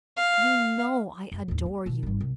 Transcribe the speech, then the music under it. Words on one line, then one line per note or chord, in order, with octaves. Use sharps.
You know I adore you.
F5
F#2
D#2 A2
A#3
B2 F3
G#1 G3
C2